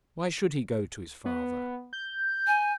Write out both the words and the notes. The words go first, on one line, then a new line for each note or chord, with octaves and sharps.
Why should he go to his father?
B3
G6
G#5